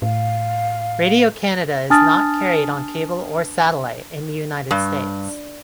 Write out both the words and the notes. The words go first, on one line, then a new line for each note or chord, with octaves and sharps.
Radio-Canada is not carried on cable or satellite in the United States.
A2 F5
D4 G#5 A5 D#6 F6 A6
G2